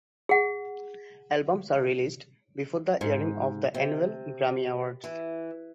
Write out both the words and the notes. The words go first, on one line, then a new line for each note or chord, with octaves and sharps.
Albums are released before the airing of the annual Grammy Awards.
G#4 F#5
G#2
C3
E3